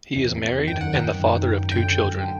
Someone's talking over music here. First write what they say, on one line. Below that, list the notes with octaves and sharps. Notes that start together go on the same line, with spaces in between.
He is married and the father of two children.
E2 C3 E3
F#2 D#3 G5
F#5
G5
F#2 D#3
F#2 D3 G5
D3